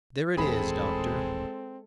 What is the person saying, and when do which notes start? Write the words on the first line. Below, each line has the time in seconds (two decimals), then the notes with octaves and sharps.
There it is, doctor.
0.37 D#1 A1 E3 G#3 C4 G#4 A4 B5